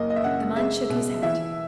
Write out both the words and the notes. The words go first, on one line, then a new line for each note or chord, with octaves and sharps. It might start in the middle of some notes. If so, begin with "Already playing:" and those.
The man shook his head.
Already playing: F#1 A#3 D#5
D#5
E5
C#3 F#5
G#3 E5
B2
E3 E5